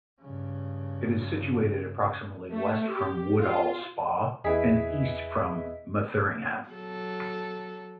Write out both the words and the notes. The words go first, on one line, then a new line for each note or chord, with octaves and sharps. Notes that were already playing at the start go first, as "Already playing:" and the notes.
It is situated approximately west from Woodhall Spa and east from Metheringham.
G2 C#3
A3
G4
F4
E2 B3 E4 G#4 D#5 B6
F#3 A4